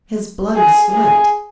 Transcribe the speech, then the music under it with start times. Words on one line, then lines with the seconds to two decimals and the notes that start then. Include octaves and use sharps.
His bloody sweat.
0.56 G#4
0.91 G#4